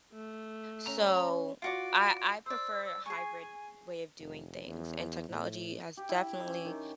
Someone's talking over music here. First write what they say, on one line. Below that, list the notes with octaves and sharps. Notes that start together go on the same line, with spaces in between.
so I I prefer a hybrid way of doing things, and technology has definitely
A3
C#4 A#5
F4 F#4 D5 D7
C5 D5 E6
E6
G#4 G#5 C#6
F1
E2
A2
G4
E4
C#4
D#3